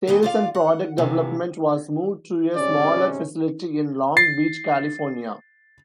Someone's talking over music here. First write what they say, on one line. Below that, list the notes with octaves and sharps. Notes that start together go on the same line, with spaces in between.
Sales and product development was moved to a smaller facility in Long Beach, California.
F#2 E3 A#3 D#5 G5
F4 D5 F5
F#5
G2 C3 E3 F3
G#2 C3 C#4 D5
A6 C7